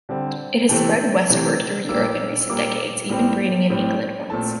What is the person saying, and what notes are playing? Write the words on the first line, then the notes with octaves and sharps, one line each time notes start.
It has spread westward through Europe in recent decades, even breeding in England once.
D3 G3 C4
C3 E3 A3 C4 A5
C3 E3 A3 C4
A#2 G3 A#3 E6
E6
A#2 G3 A#3 D6
A2 G3 C4
A2 G3 C4
A#2 A3 C4 A5